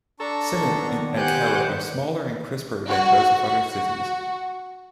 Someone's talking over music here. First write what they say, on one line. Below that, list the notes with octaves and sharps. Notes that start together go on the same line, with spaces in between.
Simit in Ankara are smaller and crisper than those of other cities.
D4 A4 A#5 C#6
D#3 B3
G4 C5 F#5 G#5 F#6 G6
F#4
F#4